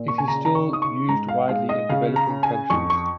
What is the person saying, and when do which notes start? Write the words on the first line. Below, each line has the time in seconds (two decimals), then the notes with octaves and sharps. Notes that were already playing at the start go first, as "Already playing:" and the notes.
It is still used widely in developing countries.
Already playing: A#2
0.08 C#6
0.18 G#5
0.28 C#3 A#5
0.45 A#5
0.55 C#6
0.69 D#4 D#6
0.82 C#6
1.09 G#2 A#5
1.29 F5
1.49 G#3 F5
1.69 D#5
1.89 C#3 F5
2.16 A#5
2.29 C#4
2.43 G#5
2.70 F2 C#6
2.90 C#6